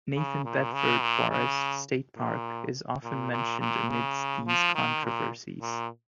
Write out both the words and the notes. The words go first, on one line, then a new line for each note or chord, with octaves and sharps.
Nathan Bedford Forrest State Park is often mentioned amidst these controversies.
C#3
A#2
C#3
A#2
C#3
A#2
A#2
A#2
A#2
C#3
F3
D#3
A#2
A#2